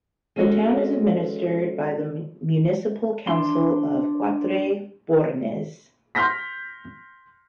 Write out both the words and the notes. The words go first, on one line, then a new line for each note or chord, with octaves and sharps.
The town is administered by the Municipal Council of Quatre Bornes.
G#3 C#4 F#4 A4 D#5
D4 C6
C6 F6 G6 A#6 B6